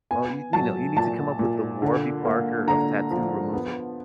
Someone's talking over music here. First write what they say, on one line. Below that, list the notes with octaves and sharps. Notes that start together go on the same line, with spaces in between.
Well, you you know, you need to come up with the Warby Parker of tattoo removal.
B3 G#5
F#3 A5
A#2 A5
A#2
D3
A#3
D3 A#5
F3
B3